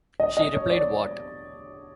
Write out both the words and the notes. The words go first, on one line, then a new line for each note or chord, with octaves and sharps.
She replied: What!
D#5
D#5
C#5
D5